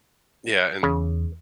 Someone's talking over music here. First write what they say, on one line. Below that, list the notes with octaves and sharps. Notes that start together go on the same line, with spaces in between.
Yeah, and
E2 C#3